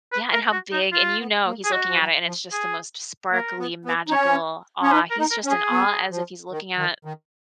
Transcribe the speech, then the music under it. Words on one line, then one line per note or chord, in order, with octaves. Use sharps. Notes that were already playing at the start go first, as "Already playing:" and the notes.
Yeah, and how big and you know he's looking at it and it's just the most sparkly, magical awe, he's just in awe as if he's looking at,
B4
A#4
F#4
D#4
F4
B3
A#3
G#4
G#3 F#4
F3
F#3
F3
G#4
A#3 A#4
B3
B3
D#4
C#4 C#5
C#4 C#5
D#4 B4
A#4
D#4
A#4
C#4
G#4
B3
F3
D#3
D#3
D#3